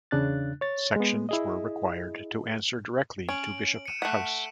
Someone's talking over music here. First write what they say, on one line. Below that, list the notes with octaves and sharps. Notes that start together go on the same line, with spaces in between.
Sections were required to answer directly to Bishop House.
E2 C#3 D4 F#6 A6
C#5 A6
G#3 B3
E4 G#4 D#5
C#4 D7 F#7
C#7 D#7 E7
A3 F#5 B6 E7